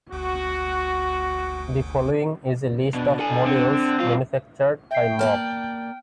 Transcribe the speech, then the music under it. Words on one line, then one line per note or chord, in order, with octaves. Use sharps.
The following is a list of modules manufactured by Moog.
G1 D2 F#4
B2 D4
A4 G#5
D3 C4
G2 F4
E5 G5 C7
A#3 D5 A5 F6